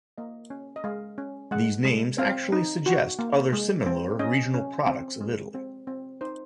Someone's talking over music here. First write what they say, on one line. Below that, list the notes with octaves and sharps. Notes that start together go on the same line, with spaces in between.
These names actually suggest other similar regional products of Italy.
A#3 D#5
C#4
D#5
G#3 F5
C#4
G#3 F#5
G#3
C4 F5
D#4
F#4
A#3
G#3
C4
C#4 D#5
C#4
C4
G#3
C4
C4
D#4 C5